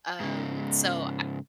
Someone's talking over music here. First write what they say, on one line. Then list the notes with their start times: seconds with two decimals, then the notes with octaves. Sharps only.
Um, so I
0.20 G#2 C#3